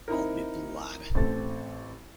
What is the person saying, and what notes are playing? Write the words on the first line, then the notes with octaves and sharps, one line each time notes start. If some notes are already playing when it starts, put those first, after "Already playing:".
I'll be Blood.
C4 D#4 E4 A#4
A1 C4 A4 A6